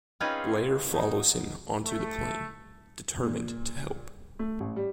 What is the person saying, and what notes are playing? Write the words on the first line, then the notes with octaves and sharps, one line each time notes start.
Blair follows him onto the plane, determined to help.
C4 C#4 D#4 F4 G#4 B4
F#3 D#4
A3
A#2
A3
A1
G3